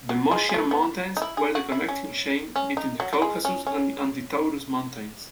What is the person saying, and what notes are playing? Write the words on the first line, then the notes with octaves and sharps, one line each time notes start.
The Moschian Mountains were the connecting chain between the Caucasus and Anti-Taurus Mountains.
F#3
G#3
G#3
A3
B3
D#4
E4
G#4
F#4
E4
C#4
C#4
D#4
F#3
F#3
G#3
C#4
C#4